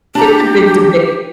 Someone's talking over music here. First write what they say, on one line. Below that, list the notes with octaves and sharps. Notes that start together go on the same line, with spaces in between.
It's a big debate.
D4 G4 A#5